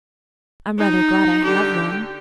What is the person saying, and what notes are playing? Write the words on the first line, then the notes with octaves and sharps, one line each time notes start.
I'm rather glad I have one.
D#4
D3 G4